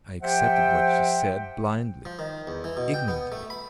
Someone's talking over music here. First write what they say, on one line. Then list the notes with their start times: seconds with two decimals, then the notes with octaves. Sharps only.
I accepted what she said blindly, ignorantly.
0.22 F3 G4 C5 E5 F#5 G5
2.05 F3
2.19 D#3
2.47 E2
2.64 E3
2.77 B2
2.94 G5
3.08 B3
3.32 A3
3.50 B5